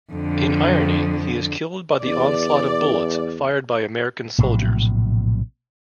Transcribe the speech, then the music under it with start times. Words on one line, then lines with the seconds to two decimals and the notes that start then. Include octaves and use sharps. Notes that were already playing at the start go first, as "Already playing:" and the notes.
In irony, he is killed by the onslaught of bullets fired by American soldiers.
0.12 F2 D3
2.03 E2 D5
4.38 A#1 A2 C3 F#3